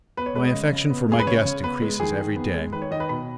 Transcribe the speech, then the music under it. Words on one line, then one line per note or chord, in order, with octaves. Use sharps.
My affection for my guest increases every day.
B3 B4
C#5
G#3 B4
D#5
C#3
C#3
B3
G#3 G#4
B4
C#3 C#5
C#3
B3 B4
G#3
D#3 G#4
D#3
B3
G#3
D#3 B4
C#5
D#3 D#5
B4
B2 B5